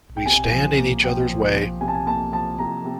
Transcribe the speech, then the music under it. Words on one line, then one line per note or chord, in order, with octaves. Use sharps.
We stand in each others' way!
G5
C3 G#5
F3 G#5
A#3
F3 G5
F3
F3
C3 G#5
A5
G#5
A#3 A5
F3 A5
C3 A#5
C3